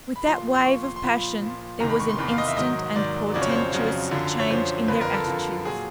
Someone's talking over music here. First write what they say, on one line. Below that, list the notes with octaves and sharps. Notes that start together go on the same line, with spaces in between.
With that wave of passion there was an instant and portentous change in their attitudes.
B5
A#2 F3 C6
C6
A#2 F3 C#6
C6
C6
A#2 F3 B5
A#2 F3
E2 C3 D#3 A#5
B5
C#6
C6
E2 C3 D#3 B5
F5
D#5
E5
G#2 D#3 F#3 D#5
G#2 D#3 F#3 D5
F2 C#3 F#3 D5
C#5
C5
C#5
F2 C#3 F#3
F#2 D3 F3
C#5
F#2 D3 F3 C5
F2 D3 F3 B4
A#4
A4
F2 D3 F3
A#2 F#3 G#4